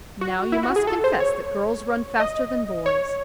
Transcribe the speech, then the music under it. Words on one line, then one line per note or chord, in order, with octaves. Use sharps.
"Now you must confess that girls run faster than boys."
F#4
E4
F#4
G#4
A4
C5
C#5
D#5
C#5